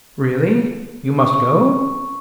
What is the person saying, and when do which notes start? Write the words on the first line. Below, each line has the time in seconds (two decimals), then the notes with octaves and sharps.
Really--you must go?
1.21 C#6